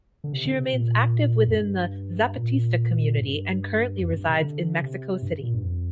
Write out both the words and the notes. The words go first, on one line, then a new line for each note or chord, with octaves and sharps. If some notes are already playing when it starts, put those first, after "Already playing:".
She remains active within the Zapatista community and currently resides in Mexico City.
D3
C3
D3
C3
A#2
F2
G2
A#2
G2
F2
G2
C3
D3
C3
G2
A#2
G2
F2